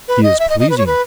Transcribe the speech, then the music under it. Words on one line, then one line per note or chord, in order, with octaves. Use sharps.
He is pleasing.
B4
D#5
E5
D#5
D#5
B4
C#5
B4